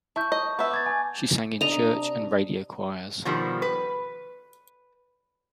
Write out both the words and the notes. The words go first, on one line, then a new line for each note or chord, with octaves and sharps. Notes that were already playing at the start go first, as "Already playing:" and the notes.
She sang in church and radio choirs.
E4 A5 C#6 G6
D#5
B3 E5
D6 G#6 A6
G#5
C3 D4 D#5 A#5
B2 D#3 F3 G3
B4